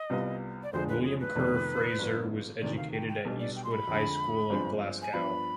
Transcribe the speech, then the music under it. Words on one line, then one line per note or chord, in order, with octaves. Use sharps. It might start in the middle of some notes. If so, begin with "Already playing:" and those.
William Kerr Fraser was educated at Eastwood High School in Glasgow.
Already playing: D#5
C2 C3 G3 B3 F4
D5
F1 F2 D3 F3 G#3 C5
B4
G#4
B4
F1 F2 C3 D#3
G1 G2 D3 F3 B3
D2 C3 D#3 D5
F5
G5
G5
B1 B2 G3 D4
D5
G5
C6
B5
F2 D3 G#3
G1 G2 F3 G#3 C4
G#5
G2 F3 B3 D4 B5